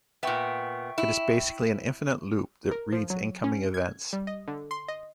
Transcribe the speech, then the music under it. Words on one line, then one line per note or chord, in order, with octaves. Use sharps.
It is basically an infinite loop that reads incoming events.
A#2 B3 E5 G5 C#6
E4
A#4
F3
F#3
C#4
G#6
G3
D#5
D3
C6
D#5